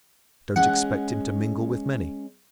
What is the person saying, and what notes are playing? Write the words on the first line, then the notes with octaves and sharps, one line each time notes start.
Don't expect him to mingle with many.
G#3 C#4 F#5